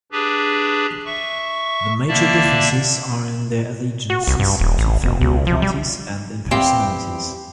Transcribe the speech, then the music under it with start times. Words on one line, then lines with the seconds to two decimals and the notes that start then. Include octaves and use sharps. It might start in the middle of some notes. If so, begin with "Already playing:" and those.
The major differences are in their allegiances to federal parties and in personalities.
0.12 D4 G4 G#4 B4
1.06 E5 C#6
2.08 D3 A#3 D5 E5 A5
4.10 F#4
4.27 C2
4.40 G2
4.60 D#1
4.78 A1
5.02 F1
5.21 C#2
5.47 F3
5.62 G3
6.51 E2 C4 G4 F5 G5